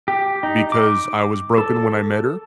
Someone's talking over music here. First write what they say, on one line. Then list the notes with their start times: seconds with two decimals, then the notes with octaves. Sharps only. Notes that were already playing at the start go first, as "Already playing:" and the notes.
because I was broken when I met her,
0.08 G4
0.43 D#4
0.72 D6
1.58 A4